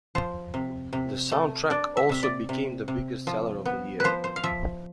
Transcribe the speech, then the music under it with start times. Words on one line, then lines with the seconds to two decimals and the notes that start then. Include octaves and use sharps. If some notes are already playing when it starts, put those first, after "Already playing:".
The soundtrack also became the biggest seller of the year.
0.15 F3 C5
0.54 C3
0.93 C3
1.31 A3
1.70 D4 D5
1.97 E5
2.09 C3 E5
2.23 D5
2.49 C3
2.88 C3
3.27 F3
3.65 B3
4.00 F3 B4 C5
4.24 C5
4.36 F5
4.43 F3 E5